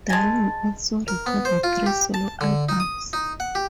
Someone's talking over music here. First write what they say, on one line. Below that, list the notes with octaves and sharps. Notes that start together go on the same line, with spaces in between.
Darling also recorded three solo albums.
G#3 G#5 A5 A6
A#4
B3
C5
F4
G4
A5
D3
D#4
D#6
D#4
F#5
G4